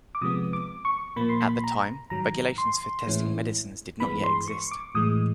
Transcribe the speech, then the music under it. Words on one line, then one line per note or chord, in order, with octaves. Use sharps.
At the time, regulations for testing medicines did not yet exist.
D6
C3 F3 G#3 B3 D#6
D6
C#6
A#2 F3 A#3 B5
C6
B5
A#5
G#2 D#3 F#3 A#5
C6
A2 E3 G#3 C#4 E4
G2 E3 G#3 B3 B5
C6
C#6
D6
A2 E3 G#3 D#6